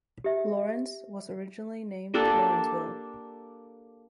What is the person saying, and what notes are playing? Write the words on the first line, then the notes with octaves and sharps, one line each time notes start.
Laurens was originally named Laurensville.
G4 E5
A#3 D4 G4 A4